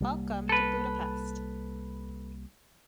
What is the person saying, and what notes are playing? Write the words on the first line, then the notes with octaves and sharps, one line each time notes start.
Welcome to Budapest!
C2 G3 A#3
A4 B4